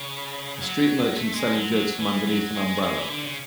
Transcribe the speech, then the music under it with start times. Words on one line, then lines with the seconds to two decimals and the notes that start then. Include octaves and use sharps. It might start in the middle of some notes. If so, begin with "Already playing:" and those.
A street merchant selling goods from underneath an umbrella.
Already playing: C#3
0.61 F#3
1.16 A3
1.35 G#3
1.54 F#3
1.72 F#3
1.99 E3
2.27 F#3
2.55 G#3
2.82 G#3
2.96 E3
3.10 D3
3.24 C#3